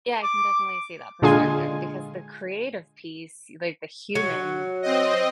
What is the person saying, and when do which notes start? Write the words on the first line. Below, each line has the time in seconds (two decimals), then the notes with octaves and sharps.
Yeah. I can definitely see that perspective because the creative piece, like, the human
0.23 D6
1.22 A#2 D3 G#3 D4 F4 G#5
4.15 F#3
4.83 C4 D#5